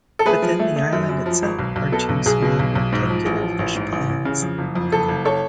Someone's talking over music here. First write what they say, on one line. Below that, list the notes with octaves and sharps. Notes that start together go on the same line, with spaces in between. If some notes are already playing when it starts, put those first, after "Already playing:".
Within the island itself are two small rectangular fishponds.
A4
A3 G#4 B4
F3
A3
A3
F#2
F#2
F3
G#1
B1
B1
B2 A4
B1
B1 G#4
B2
B1
B1
G#2
F3
A1
F3
A1
G#2
A1
A1
C#3
F2
F#1
F2
F#1 A4
F#1
A4 C#5